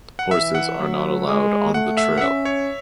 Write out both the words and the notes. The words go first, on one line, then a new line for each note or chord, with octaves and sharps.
Horses are not allowed on the trail.
F#5
E3 E5
F#5
F#3
G#3
A3 F#5
E5
F#5
C#4 E5
C#5